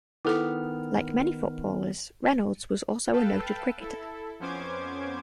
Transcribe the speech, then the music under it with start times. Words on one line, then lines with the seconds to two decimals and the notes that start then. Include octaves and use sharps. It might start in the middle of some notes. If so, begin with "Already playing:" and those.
Like many footballers, Reynolds was also a noted cricketer.
0.25 D#3 B3 E4 A4 D6 F6
3.12 A4 B4 F5 G5 A5
3.80 E4 A4
4.40 F2 B3 C#4 C5 D6 G#6